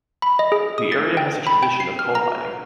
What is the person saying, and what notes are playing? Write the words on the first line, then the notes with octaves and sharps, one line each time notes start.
The area has a tradition of coal mining.
B5
D#5
G#4
D#6
A6
G5
B5
G5
C7
F6
A#5